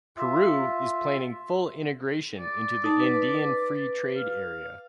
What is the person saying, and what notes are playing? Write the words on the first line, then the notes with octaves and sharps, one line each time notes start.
Peru is planning full integration into the Andean Free Trade Area.
F4 E5
D5
D#4 A5
B4
F5